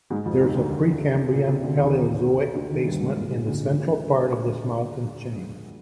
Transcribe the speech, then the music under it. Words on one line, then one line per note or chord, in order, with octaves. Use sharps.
There is a Precambrian-Paleozoic basement in the central part of this mountain chain.
G#2 G#3
F2 F3
D#2 D#3
D2 D3
A#2
C3
D2 D3
D#2 D#3
D2 D3
D#2 D#3
G2 G3
G#2 G#3
A#2 A#3
G#2 G#3
D2 D3
A#2